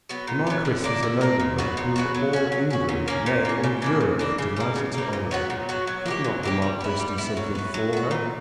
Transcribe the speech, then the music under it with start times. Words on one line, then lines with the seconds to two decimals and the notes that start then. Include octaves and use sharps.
The Marquis was a nobleman whom all England, nay, all Europe, delighted to honour. Could not the Marquis do something for her?
0.09 F#3 B3
0.27 A#2
0.47 F#3 B3
0.65 D3
0.84 A#3 D4
1.03 D3
1.21 A#3 D4
1.40 A#2
1.58 F#3 B3 F#4
1.77 A#2
1.96 F#3 B3 F#4
2.15 F#3
2.33 C#4 F#4
2.52 F#3
2.71 C#4 F#4
2.89 A#2
3.08 A#3 C#4
3.26 A#2
3.45 A#3 C#4
3.64 C#3
3.82 E3 A#3 D4
4.01 C#3
4.19 E3 A#3 D4
4.38 C#3
4.56 G3 A#3
4.76 C#3
4.94 G3 A#3
5.13 A#2
5.31 F#3 B3 F#4
5.50 A#2
5.69 F#3 B3 F#4
5.87 F#3
6.06 A#3 D4 G4
6.24 F#3
6.43 A#3 D4 G4
6.62 G3
6.81 B3 E4
7.00 G3
7.18 B3 E4
7.37 F#3
7.55 B3 F#4
7.74 F#3
7.93 B3 F#4
8.11 A#2